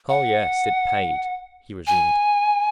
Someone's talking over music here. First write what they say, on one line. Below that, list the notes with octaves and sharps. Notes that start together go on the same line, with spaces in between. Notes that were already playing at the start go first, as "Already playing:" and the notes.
"Oh yes, it paid," he resumed.
F#5
G#5